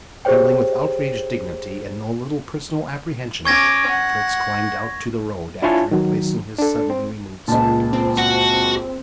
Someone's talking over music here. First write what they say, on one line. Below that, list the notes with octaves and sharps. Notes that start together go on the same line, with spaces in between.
Trembling with outraged dignity and no little personal apprehension, Fritz climbed out to the road after replacing his suddenly removed spectacles.
G4 G#4 C5 C#5 G5
C#4 C#6 D6 G#6 A#6
F#5
D4 E4 F4 C#5 G#5 A5
D#3 F#3
D4 A4
C4
C#2 A#2 A5
C4
F#4